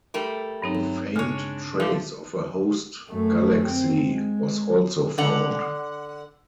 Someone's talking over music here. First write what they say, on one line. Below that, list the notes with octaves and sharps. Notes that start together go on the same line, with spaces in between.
A faint trace of a host galaxy was also found.
G3 A3 A#4
G2 F#3 C4 D#4
C#3 G#3 D4 C#5
D3 F3 A3
F#2 A3
C4
G#3
D3 F#5